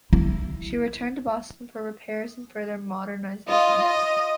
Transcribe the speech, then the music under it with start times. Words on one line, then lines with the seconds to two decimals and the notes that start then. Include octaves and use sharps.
She returned to Boston for repairs and further modernization.
0.13 E4
3.48 F4 D#5
3.87 D#5